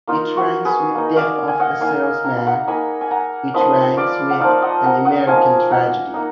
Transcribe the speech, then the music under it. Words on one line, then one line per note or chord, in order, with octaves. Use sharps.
It ranks with "Death of a Salesman", it ranks with "An American Tragedy".
A#3 D#4 F4
F#4
G#4 B4
A#3 D#4
D5 F5
G#5
D#5 F#5
A#3 D#4 F5 G#5
A#5
B5
F#5 A#5
A#3 D#4 G#5 B5
G#5
F#5 A#5
F3 A#3 D#4 B4 D#5
D5 F5
F#5
F3 A#3 D#4 D5 F5
D#5 F#5
F#5 A#5
D#5 F#5
F3 A#3 D#4 F5 G#5
F#5 A#5
A#3 D#4